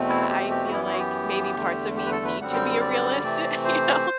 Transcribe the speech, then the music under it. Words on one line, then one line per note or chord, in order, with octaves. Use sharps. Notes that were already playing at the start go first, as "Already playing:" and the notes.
I I feel like maybe parts of me need to be a realist, you know
Already playing: E2 B2 A3 C4
E4
G4
G4
F#4
F#2 E3 B3 E4
E4
F#4
G4
E2 D3 A3
G4
B4
A4
B4
F#2 D3 G3 C4 F#5
G5
D5
C3 E3 A3 C4
C5